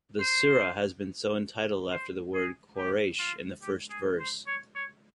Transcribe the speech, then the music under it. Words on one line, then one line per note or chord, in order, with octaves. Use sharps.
The Surah has been so entitled after the word Quraish in the first verse.
C5
C5
G#4
G4
F4
G4
G#4
C5
C#5
C#5